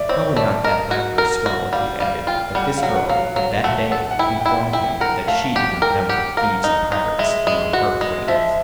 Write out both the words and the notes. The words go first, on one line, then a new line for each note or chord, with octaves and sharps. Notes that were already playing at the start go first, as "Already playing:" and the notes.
How would not that laughter swell if he added that this girl had that day informed him that she did not number thieves and pirates among her acquaintance.
Already playing: D5 E5
C4 C#5
C#5
A3 D5
A#4 D#5
F#4
A#4
F#4
G3 F5
G3 F5
F4 G5
G3 F#5
F5
F#3 F#5
F#5
F#3 F5
F#5
F#3 F5
A3 F#5
A4 F#5
F#5
E4 G5
G5
E4 F#5
E4 G5
A#4 F#5
A3 F5
G4 F#5
A#4 G5
G4 F#5
A#4 F5
D#4
D#4
G#3 E5
G#3
F#4
G#3
F3 E5